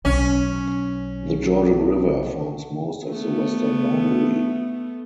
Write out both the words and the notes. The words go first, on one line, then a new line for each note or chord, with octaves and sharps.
The Jordan River forms most of the western boundary.
B1 C#4
A3 B3